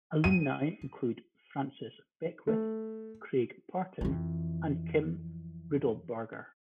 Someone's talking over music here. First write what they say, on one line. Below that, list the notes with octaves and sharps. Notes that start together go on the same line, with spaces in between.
Alumni include Francis Beckwith, Craig Parton and Kim Riddlebarger.
D#7
A3
F2 E3